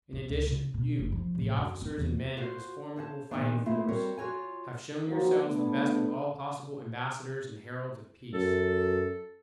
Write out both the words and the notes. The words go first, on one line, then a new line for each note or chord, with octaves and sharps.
In addition, you, the officers and men of this formidable fighting force, have shown yourselves the best of all possible ambassadors and heralds of peace.
F4
C#2
C#3
B2
F#1
F3
A1
F#2
C4
E2
F4 F#4 C5
C5 C#5 F#5 A5
A#2 D#3 B3 D4
A3 A#3 C4 E4 F4 G#4
G3 C4 F#4 A#4 C#5
F4 F#4 A#4 C#5 G#5
D#2 D#3 F3 F#3 A#3 F#4
A3 B3 D4
F#2 A4